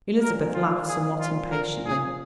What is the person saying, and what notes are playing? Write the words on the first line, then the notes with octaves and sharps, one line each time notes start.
Elizabeth laughed somewhat impatiently.
A#2 F3 A#4
F4
G#4
F4
A#4
G#4